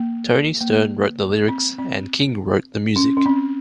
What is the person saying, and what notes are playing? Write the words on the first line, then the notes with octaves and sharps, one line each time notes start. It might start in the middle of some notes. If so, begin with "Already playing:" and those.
Toni Stern wrote the lyrics and King wrote the music.
Already playing: A#3
A#3
C4
C4
C#4
C#4
C4